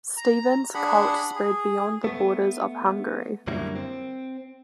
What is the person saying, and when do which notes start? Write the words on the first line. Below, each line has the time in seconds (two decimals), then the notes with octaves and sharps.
Stephen's cult spread beyond the borders of Hungary.
0.17 A#5
0.75 D4 G#4 F#5 B5
1.36 G#4
2.04 A3 B3
3.47 F#2 D3 G3 A#3 E4
3.76 C4